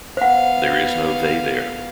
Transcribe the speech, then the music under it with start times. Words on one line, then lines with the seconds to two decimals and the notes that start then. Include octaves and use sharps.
There Is No They There.
0.17 B3 C5 F5 F#5